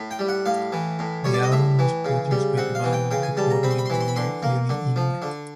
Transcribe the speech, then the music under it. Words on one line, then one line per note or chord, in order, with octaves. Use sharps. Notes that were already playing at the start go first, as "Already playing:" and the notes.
The album was produced by the band and recording engineer Uni Inoue.
Already playing: A2
G5
G3
F#5
A2 F5
E3
A2
G3 C#5
D5
D#5
A2 E5
E3
C#3
G3
C4 F#5
F5
E3
G5
C#3 G5
G#5
G3 A5
A#5
C4 B5
C6
B5
C6
E3 B5
C6
B5
D3 C6
A#3
D3
F3
D3